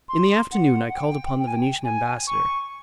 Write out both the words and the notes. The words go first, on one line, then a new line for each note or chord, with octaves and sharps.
In the afternoon I called upon the Venetian ambassador.
C6
F#5
F#5
G5
G5
G#5
G5
G#5
C#6